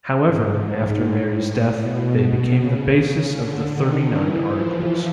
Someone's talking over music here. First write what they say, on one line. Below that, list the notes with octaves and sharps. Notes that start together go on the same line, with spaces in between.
However, after Mary's death, they became the basis of the Thirty-nine Articles.
G#2
A2
B2
C#3
D3
D#3
E3
F3